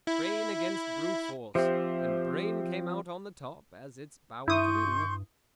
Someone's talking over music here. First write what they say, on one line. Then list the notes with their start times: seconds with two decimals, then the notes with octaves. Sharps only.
'Brain against brute force--and brain came out on the top--as it's bound to do.
0.07 E4
1.55 F3 C4 G4 C5 E5
4.48 G2 E4 C6 C#6 D#6 G6